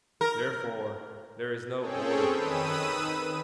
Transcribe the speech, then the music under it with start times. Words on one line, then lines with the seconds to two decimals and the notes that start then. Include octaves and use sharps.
Therefore there is no order among them.
0.21 A#4
1.78 C4 C#4 G#4 A4 C#5 G5
2.29 D#3 B4 B5 D#6 E6 D#7